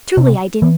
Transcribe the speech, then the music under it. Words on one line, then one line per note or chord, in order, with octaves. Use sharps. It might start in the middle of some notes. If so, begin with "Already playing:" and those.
Truly, I didn't.
C3
E3